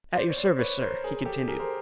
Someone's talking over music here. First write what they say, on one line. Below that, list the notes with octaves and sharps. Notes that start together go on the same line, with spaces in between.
"At your service, sir," he continued.
C5 D5
C#5
C5 D5
B4 C#5
A#4 C5
G#4 A#4
G4 A4
G#4 A#4
A#4 C5